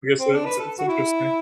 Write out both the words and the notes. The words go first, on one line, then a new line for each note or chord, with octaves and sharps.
I guess it's it's interesting.
C4
D4
B4
A4
F#4
E4